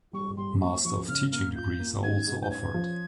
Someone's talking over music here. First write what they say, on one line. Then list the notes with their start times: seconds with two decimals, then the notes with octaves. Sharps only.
Master of Teaching degrees are also offered.
0.13 G3 C#6
0.37 G3 C6
0.61 A#3 C#6
0.84 F3 C#6
1.08 C#3 F6
1.32 A#3 F6
1.55 F4 G6
1.79 A#3
2.03 D#3 G#6
2.27 G#2
2.42 G6
2.50 C#4 G#6
2.74 F3